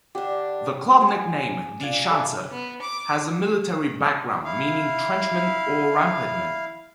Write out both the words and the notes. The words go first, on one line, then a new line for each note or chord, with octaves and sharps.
The club nickname "Die Schanzer" has a military background, meaning trenchmen or rampartmen.
D3 D4 G4
F3 F#3 G#4
D4 F4 G#5
A4 D5 E5
B3
D6
E4 F5